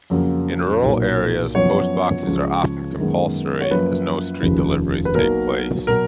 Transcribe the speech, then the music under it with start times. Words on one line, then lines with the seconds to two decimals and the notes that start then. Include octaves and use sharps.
In rural areas Post Boxes are often compulsory as no street deliveries take place.
0.10 F2 C#3 F#3 A#3
0.82 B1 A#2 F#3 A#3
1.55 F#2 F3 B3 C#5
2.27 C#2 C#3 F3
2.98 F#2 D#3 G#3 B3
3.61 C#5
3.71 F#2 F3 A#3 B4
4.43 F1 D#2 C#3 F3
5.05 B4
5.15 B1 B2 F#3 A#3 A#4
5.87 B2 F#3 B3 A#4